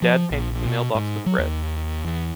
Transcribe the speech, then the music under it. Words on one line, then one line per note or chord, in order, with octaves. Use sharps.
Dad painted the mailbox with red.
F3
A#1
B2
G#2
F#3
D#2
E2